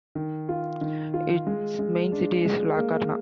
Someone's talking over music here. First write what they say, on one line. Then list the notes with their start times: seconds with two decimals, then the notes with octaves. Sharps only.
Its main city is Larkana.
0.15 D#3
0.49 F4
0.81 D#3
1.14 F4
1.47 G#3
1.79 G#3
2.12 D4
2.45 G#3
2.77 A#3